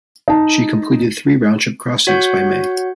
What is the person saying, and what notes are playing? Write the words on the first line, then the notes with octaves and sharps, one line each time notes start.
She completed three round-trip crossings by May.
D#4 A5
F#4 C#5 F#5 G6